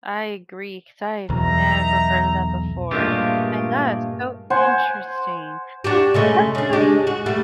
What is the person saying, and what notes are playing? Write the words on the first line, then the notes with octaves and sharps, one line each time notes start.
I agree, 'cause I have never heard of that before. And that is so interesting. Oh, what state
B1 E2 D#4 E5 A#5
G2 A#2 G#3 A3 F4 G4
C5 F#5 G#5 C6
D4 F#4 G4
C#3 G#3 A3
C#3 D4
G#3 D4 G4
F#4
G3 A3